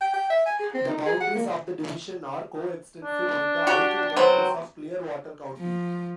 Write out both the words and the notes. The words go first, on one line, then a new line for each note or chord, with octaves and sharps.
The boundaries of the division are coextensive with the outer boundaries of Clearwater County.
G5
G5
E5
G#5
G#4
C4
D#4
G#4
F#5
A#3
D4
F#4 G4
B2 F#3 C4
F3